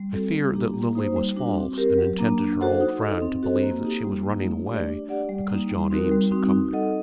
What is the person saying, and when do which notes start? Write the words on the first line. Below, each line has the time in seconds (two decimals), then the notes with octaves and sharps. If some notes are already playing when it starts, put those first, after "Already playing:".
I fear that Lily was false, and intended her old friend to believe that she was running away because John Eames had come there.
Already playing: G3
0.12 C4 F#4 A4
0.33 G3
0.54 A#3 D4 G4
0.74 A#3
0.95 D#4 F#4 C5
1.16 G3
1.37 D4 F#4
1.57 C4
1.78 G4 A#4
1.98 F#3
2.19 A#3 D4
2.39 D4
2.61 F#4 A4 C5 F#5
2.81 D#4
3.02 A4 D#5
3.22 C4
3.43 F#4 A4 C5 D#5
3.63 A#3
3.84 D#4 G4
4.05 G3
4.26 A#3 D#4
4.46 A3
4.67 D4 G4 D5
4.88 D4
5.08 G4 D5 F#5
5.29 G3
5.50 A#3 D#4
5.70 G3
5.90 C4 D#4 F#4 A#4
6.12 G3
6.31 C4 D#4 F#4
6.52 D#4
6.73 A4 D#5 F#5